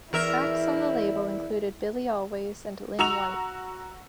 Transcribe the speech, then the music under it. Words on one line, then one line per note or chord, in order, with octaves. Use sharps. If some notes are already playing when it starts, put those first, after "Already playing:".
Acts on the label included Billy Always and Lynn White.
E2 E4 A#4 E5
F#4 A#5 E6 F7